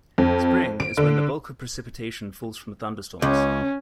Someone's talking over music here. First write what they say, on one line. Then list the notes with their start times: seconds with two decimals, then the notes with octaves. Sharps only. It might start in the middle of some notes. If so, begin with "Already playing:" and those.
Spring is when the bulk of precipitation falls from thunderstorms.
0.18 F2
0.80 D7
0.97 D3
3.22 C#2 C#4